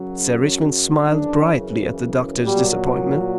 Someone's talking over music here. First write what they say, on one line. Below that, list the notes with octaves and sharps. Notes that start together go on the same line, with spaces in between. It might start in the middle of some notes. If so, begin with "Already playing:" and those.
Sir Richmond smiled brightly at the doctor's disappointment.
Already playing: F#2 C#3 F#3
F#2 C#3 E3 D4
A#2 F#3 G3